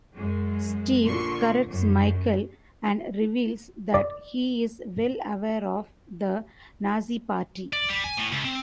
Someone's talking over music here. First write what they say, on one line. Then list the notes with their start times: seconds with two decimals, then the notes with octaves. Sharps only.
Steve corrects Michael and reveals that he is well aware of the Nazi party.
0.15 F#2 G#3
1.06 A#1 A#2 D3 C6 C#6
1.68 F#2
3.94 D5
7.73 D5
7.89 G3
8.04 G#5
8.17 A2
8.32 C#2
8.44 C4